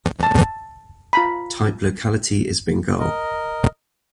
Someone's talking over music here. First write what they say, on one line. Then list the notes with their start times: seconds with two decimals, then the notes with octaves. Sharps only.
Type locality is Bengal.
0.23 A5
1.13 F4 A#5 B5
2.99 A#4 D#5